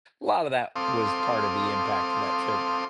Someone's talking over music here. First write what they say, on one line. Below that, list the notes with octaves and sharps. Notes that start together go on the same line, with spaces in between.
a lot of that was part of the impact of that trip.
C4 A4 F5 C6 D6 D#6